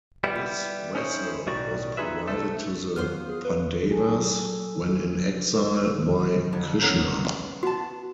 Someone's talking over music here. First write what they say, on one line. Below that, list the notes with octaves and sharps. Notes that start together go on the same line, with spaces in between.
This vessel was provided to the Pandavas, when in exile, by Krishna.
G3 B3 E4
C#4 D#4 E4 C5 C#5
B1 A2 D#3 G3 F#4 D5
D#4 F4 G#4 B4 E5
C2 A3 A4
B3 F4 C5 F6
G#4
B4
F#3 G#4 A4
F2 D3
B3 C#4 A#4
B3 F#4 A5